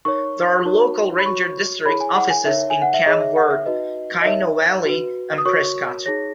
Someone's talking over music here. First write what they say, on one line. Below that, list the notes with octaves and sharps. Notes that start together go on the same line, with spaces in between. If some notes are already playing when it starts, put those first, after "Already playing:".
There are local ranger district offices in Camp Verde, Chino Valley, and Prescott.
D#4 A#4 C#5 C#6
D#4 F#4 A#4 C#5
B5
F#4 C#5 C#6
E4 G#4 C#5 B5
G#5
F#5
G#5
D#4 A#4 C#5 E5
G#5
F#5
E5
D#4 G#4 C#5 D#5
E5
F#5
E5
D#4 F#4 B4 D#5
D#5
D#4 A#4 C#5 E5
F#4 B4
D#6
F#4 A#4 C#5 C#6
D#4 G#4 C#5 A#6